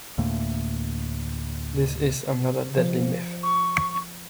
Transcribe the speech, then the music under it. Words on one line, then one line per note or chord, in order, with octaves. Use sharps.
This is another deadly myth.
D2 A2 A3 A#3
F3
C#6